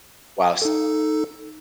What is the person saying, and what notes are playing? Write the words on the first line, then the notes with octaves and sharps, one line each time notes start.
Wow, s
D#4 A4